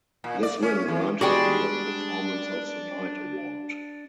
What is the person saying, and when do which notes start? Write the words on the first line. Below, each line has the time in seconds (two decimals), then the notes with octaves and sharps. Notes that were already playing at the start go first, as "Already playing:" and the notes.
This win earned him the "Performance of the Night" award.
0.24 A#2
0.43 D5
0.63 C#4
0.88 E3
1.21 G3 G#3 D4 F#4 G#4 D5 G5